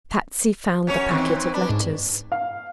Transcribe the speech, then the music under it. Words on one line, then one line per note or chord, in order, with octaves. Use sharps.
Patsy found the packet of letters.
F#2 C#4 C#5
D#3 E3 C4
D4 B4
G#2
F5